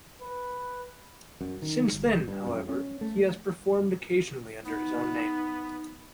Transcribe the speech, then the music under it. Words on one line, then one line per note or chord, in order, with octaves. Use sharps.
Since then, however, he has performed occasionally under his own name.
B4
F#2
D#3
G1
G2
F#2
C#4
A3
B3 D#4